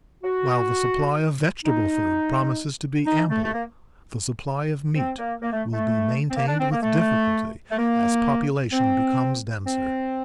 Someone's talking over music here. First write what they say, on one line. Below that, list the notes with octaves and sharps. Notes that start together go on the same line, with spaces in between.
While the supply of vegetable food promises to be ample, the supply of meat will be maintained with difficulty as population becomes denser.
F#4
D#4
D#4
A3
A3
A#3
C4
A#3
A#3
A3
A3
C4
A#3
D4
C4
A#3
A3
A3
A#3
C4
C4